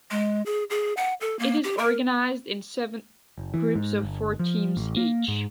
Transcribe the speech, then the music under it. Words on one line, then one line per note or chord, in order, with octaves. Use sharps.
It is organized in seven groups of four teams each.
G#3
G#4
G#4
F#5
A4
A#3
G4
A#4
F#1
E3
G#2
G1
F3
A1
A#3
G#2